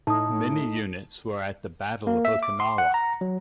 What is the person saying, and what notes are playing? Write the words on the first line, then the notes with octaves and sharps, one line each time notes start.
Many units were at the Battle of Okinawa.
A2 D#4 A5 D#6
A#3
E5
D6
C6
F#5
A#5
F#3